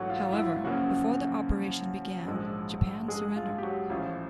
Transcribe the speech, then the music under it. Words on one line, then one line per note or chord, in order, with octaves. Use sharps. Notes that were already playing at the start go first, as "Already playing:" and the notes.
However, before the operation began, Japan surrendered.
Already playing: A#1 G#2 E3 F#3 A3 F#4
F4
E4
F4
F#2 C#3 F3 F#3 A#3 C#4 F#4
A#1 G#2 F3 G#3
G#3 G#4
F4
G4
F#3 F#4
A1 A2 F3 F4